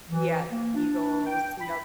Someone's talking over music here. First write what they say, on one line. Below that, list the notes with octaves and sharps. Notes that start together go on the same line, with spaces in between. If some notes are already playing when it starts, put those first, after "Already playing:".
Yeah, Eagles, yup.
E3
A#3
D4
G5
B5